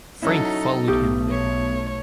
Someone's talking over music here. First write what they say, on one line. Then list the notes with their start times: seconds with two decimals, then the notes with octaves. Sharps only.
Frank followed him there.
0.22 F#3 C#4 D#4 E4 A4
0.88 B1 A3 B3 G4 D#6
1.31 C#5